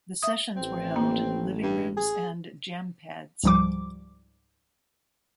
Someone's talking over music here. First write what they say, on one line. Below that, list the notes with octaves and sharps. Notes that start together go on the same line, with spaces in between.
The sessions were held in living rooms and jam pads.
E5 D#6
A1 C4
A#3
G2
G#4
C#2 G#2 F3 G3 D6